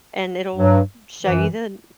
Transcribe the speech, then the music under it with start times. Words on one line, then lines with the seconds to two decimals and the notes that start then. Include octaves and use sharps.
and it'll show you the
0.56 G2 F#3
1.23 F#2 E3